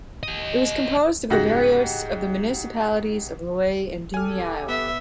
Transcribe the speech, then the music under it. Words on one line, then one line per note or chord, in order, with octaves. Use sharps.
It was composed of the barrios of the municipalities of Loay and Dimiao.
G4 D#5
G#2 C#3 F#4 G4 F#6 A#6
G4 A4 G#5 F6
B3 E5